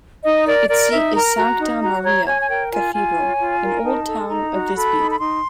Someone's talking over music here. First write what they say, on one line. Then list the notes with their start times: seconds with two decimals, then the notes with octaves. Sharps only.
Its seat is Sankta Maria cathedral in old town of Visby.
0.23 D#4 D#5
0.46 A#4 D5
0.69 A#4 D5
0.91 D#4 E5
1.14 A#4 A#5
1.36 F#4 A#5
1.59 D#4
1.82 F#4 A#5
2.04 C#5 A#5
2.26 C#5 G#5
2.42 G#5
2.49 A#4 G5
2.72 F4 G#5
2.94 F4 G#5
3.17 C#5
3.40 F4
3.62 A#4
3.84 D#4 A5
4.07 A4
4.29 D#4 A#5
4.52 F#4
4.75 A4 B5
4.98 D#4
5.10 B5
5.20 D#4 C6